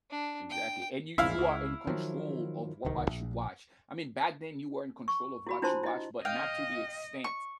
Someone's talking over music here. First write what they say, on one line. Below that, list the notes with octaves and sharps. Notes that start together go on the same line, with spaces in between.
Exactly, and you you are in control of what you watch, I mean, back then you were in control of what you watch, but not to the extent,
D4
G5
A#1 E2 G#2 E4 E5 F5
C#2
D#3 F3 F#3
D1 C2 D#3
A#1
C#6
E4 F#4 B5
D4 E4 F4 C5 A5 C6
E4 D#5
D#5 F5 G5
C#6